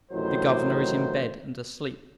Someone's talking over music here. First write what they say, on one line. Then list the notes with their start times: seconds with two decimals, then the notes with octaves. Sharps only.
"The governor is in bed, and asleep."
0.12 A1 D2 D#3 F#3 E4 C5